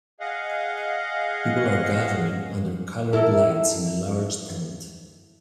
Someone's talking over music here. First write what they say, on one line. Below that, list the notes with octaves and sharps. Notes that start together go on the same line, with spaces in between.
People are gathering under colored lights in a large tent.
G#4 D#5 F5 F#5
E4 A4 A#4